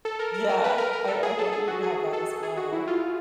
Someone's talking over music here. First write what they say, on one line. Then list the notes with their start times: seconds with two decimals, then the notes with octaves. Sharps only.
Yeah, I I want you to have that as well,
0.05 A4
0.19 A#4
0.34 A#4
0.49 A#4
0.64 B4
0.78 A#4
0.93 A#4
1.08 A4
1.23 G#4
1.38 A4
1.53 G#4
1.68 F#4
1.83 G#4
2.13 A4
2.43 G#4
2.57 F#4
2.73 E4
2.87 F4